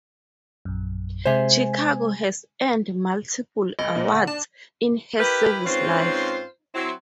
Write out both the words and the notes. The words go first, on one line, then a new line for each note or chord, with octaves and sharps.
"Chicago" has earned multiple awards in her service life.
A#1 F#2
C3 G#3 C5 E5 G#5
C#2 D#5
A#2
D3
D4 A5
E4 G4 A#4 B4
G#2 C4 C#4 F4 B4 C5
F#3 C4 E4